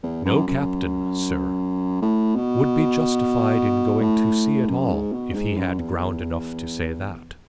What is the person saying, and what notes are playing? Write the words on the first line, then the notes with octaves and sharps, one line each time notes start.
No captain, sir, would be justified in going to sea at all if he had ground enough to say that.
E2
F#2
F#2
A2
B2
A2
F#2
G#2
B2
G#2
F#2
E2